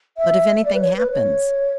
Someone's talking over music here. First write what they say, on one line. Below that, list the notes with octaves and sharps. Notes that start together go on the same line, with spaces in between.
"But if anything happens-?"
E5
D5
B4
C#5
B4
C#5